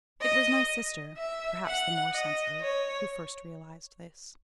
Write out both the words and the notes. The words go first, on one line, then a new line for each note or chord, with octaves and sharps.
It was my sister, perhaps the more sensitive, who first realized this.
D#5
E5
F#5
D#5
C#5